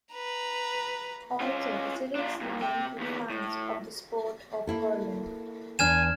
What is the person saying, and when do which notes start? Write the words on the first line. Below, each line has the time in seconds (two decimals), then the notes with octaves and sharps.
Also, the city is known to fans of the sport of curling.
0.14 B4 A#5
1.40 C#4 F4
2.15 D4 F4
2.41 G2 A#2
2.62 C3 G5
2.98 D#2 B3
3.30 A2
4.67 A#3 E4 A4
5.79 E2 D4 G#5 F6 G#6 E7